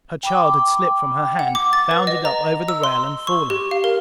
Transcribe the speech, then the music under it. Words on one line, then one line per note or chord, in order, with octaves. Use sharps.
Her child had slipped from her hand; bounded up over the rail and fallen.
G5 B5 D6
F#5
D6
A6
B4
D#5
A#5
E6
C6
C#6
G4
F5
A#4